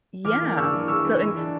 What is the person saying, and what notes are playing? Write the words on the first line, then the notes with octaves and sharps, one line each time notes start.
yeah, so ins
E3 D6 F6
A#3
D4 C#6 E6
E3
E3 C#6 E6
E3
E3
D4